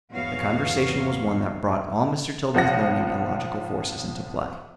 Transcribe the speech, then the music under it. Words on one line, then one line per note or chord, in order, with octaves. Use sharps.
The conversation was one that brought all Mr. Tilden's learning and logical forces into play.
E2 G#2 B3 F#4 C#5 F5
B1 F3 F#5 A#6